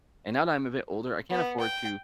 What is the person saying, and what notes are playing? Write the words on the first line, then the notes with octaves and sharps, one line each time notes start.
and now that I'm a bit older, I can't afford to
B3
G5